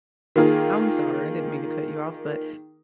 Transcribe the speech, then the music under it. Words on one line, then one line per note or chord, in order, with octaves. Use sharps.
I'm sorry, I didn't mean to cut you off, but
D#3 A#3 F4 G#4 A#4